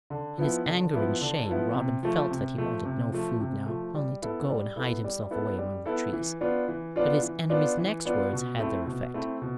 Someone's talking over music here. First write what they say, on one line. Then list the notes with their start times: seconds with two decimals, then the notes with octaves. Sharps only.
In his anger and shame Robin felt that he wanted no food now, only to go and hide himself away among the trees; but his enemy's next words had their effect.
0.10 D3
0.38 F3 B3 E4
0.66 D3
0.93 F3 B3 E4
1.21 D3
1.48 F3 B3 E4
1.75 C3
2.03 F3 A3
2.31 C3
2.57 F3 A3
2.85 C3
3.12 F3 A3
3.40 C3
3.66 F3 A3
3.95 G3
4.22 B3 E4 A4
4.49 G3
4.76 B3 E4 A4
5.04 G3
5.31 B3 E4 A4
5.58 G3
5.86 B3 E4 A4
6.13 E3
6.41 B3 D4 F4
6.68 E3
6.96 B3 D4 F4
7.23 E3
7.50 B3 D4 F4
7.78 E3
8.05 B3 D4 F4
8.33 B2
8.59 A3 C4 E4
8.86 B2
9.14 A3 C4 E4
9.42 B2